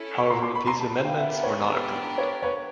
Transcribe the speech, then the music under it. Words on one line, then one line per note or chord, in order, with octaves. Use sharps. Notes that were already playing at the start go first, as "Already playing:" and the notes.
However, these amendments were not approved.
Already playing: C#4 E4 A4
B5 C#6
A#5 C6
C6 D6
B5 C#6
A#5 C6
A5 B5
F5 G5
B3 D4 G4 A#4 E5 F#5
B4 C#5
B4 C#5
B4 C#5